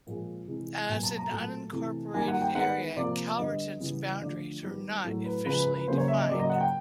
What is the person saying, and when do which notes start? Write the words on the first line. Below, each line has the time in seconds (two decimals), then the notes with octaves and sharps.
As an unincorporated area, Calverton's boundaries are not officially defined.
0.07 A#2 F3 G#3
0.47 C3 E3 G#3
0.89 B2 F#3 A#3 G#5
1.03 A5
1.17 A#5
1.30 A#2 F#3 A3 A5
1.72 C3 E3 A3
2.14 D#3 G3 A#3 G#5
2.28 F#5
2.42 G5
2.55 D#3 G#3 B3 F#5
2.97 C3 F3 A#3 D5
3.38 D3 G3 B3 D#5
3.80 C#3 E3 G3 B3
4.22 D3 F3 A3 D5
4.63 D#3 G3 B3
5.04 A2 F#3 A3
5.26 B4
5.46 C#3 F3 G#3 B4
5.60 B4
5.74 B4
5.87 C#3 F#3 A#3 C5
5.98 C#5
6.08 E5
6.18 D#5
6.29 C#3 F#3 A#3 D5
6.39 D#5
6.50 F#5
6.61 G5